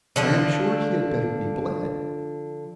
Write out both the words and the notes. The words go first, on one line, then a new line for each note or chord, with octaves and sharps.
I am sure he had better be bled.
D3 F3 D4